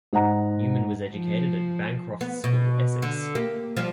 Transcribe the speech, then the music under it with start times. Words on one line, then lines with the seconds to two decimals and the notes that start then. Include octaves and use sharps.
Newman was educated at Bancroft's School, Essex.
0.13 G#2 D#5 F#5 A#5
1.13 F3
2.21 B3
2.44 B2
3.02 D3
3.35 A#3 G4
3.77 F3 G3